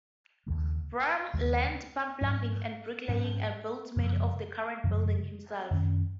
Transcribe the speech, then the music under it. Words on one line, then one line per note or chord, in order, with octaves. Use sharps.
Brahm learnt plumbing and bricklaying and built many of the current buildings himself.
D#2 C#3 G#3
D#2 C#3 G#3
G#2 F#3 C#4
G#2 F#3 C#4
F#2 C#3 F3 G#3
F#2 C#3 F3 G#3
F#2 D#3 A#3 C#4